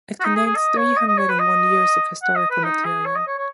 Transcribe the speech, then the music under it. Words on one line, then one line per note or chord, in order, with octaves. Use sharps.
It contains three hundred and one years of historical material.
F#4
D#4
G#4
G#4
D#5
C#5
D#5
D#5
C#5
B4
D#5
F#5
D#5
B4
D#4
G#4
C#5
D#5
C#5
C#5